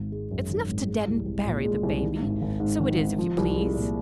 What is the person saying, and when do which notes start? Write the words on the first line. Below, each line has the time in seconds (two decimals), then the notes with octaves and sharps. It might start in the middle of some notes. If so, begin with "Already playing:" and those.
"It's enough to dead and bury the Baby, so it is if you please."
Already playing: G#1 D#3
0.12 G#3
0.31 F#2
0.50 D#3
0.69 G#1
0.88 G#3
1.08 C2
1.26 C2
1.45 A#2
1.64 G#3
1.83 C2
2.03 D#3
2.22 G#1
2.42 G#1
2.60 G#2
2.80 D#3
2.98 G#1
3.18 F3
3.37 C2
3.56 G#3
3.75 A#2